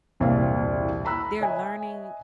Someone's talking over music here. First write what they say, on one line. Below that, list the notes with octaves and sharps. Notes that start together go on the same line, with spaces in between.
They're learning
E1 C2 A#2 C5 E5 F5
A#5 B5 E6 F#6
C#5 D#5 E5 G#5